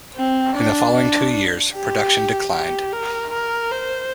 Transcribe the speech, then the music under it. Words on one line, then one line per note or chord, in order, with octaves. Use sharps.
In the following two years, production declined.
C4
D4
D4
G4
G4
A#4
A#4
C5